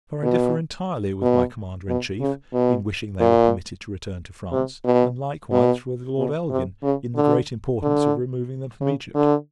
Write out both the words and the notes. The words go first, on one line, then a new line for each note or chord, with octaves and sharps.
For I differ entirely with my Commander in Chief, in wishing they were permitted to return to France; and, likewise, with Lord Elgin, in the great importance of removing them from Egypt.
B2
B2
B2
C#3
B2
A#2
C3
B2
B2
B2
C3
C#3
D3
D3
C#3
D3